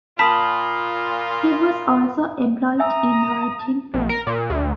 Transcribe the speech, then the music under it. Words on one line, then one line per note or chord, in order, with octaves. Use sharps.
He was also employed in writing plays.
A#2 F4 A5 B5 D#6 B6 F#7
E5 G#5 A#5 D#6 E6
A#1
A#4
A#2
D2